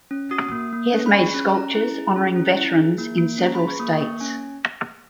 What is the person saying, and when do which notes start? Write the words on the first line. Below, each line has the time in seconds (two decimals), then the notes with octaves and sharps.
He has made sculptures honoring veterans in several states.
0.11 C#4
0.31 F#4 D#6
0.52 A#3
0.73 A#3
0.93 C#4
1.06 B5
1.13 G#4 C#6
1.34 C#4
1.54 C#4 A#5
1.75 E4
1.95 G#4
2.16 C#4
2.36 C#4
2.57 E4
2.77 G#4
2.98 A#3
3.18 A#3
3.38 C#4 A#5
3.55 G#4 B5
3.67 C#6
3.80 A#3 D#6
4.00 A#3 C#6
4.20 C#4 G#5